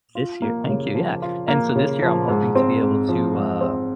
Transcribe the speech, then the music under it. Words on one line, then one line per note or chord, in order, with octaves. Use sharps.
this year Thank you, yeah, and so this year I'm hoping to be able to, uh,
F4
A#3
C#3
F3
F4
A#3
C#3
F3
G#2
C4
G#2
F3
G#2
C4